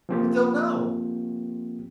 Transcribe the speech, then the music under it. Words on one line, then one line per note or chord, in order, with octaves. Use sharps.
"But they'll know...."
F3 A#3 C4 F4 G4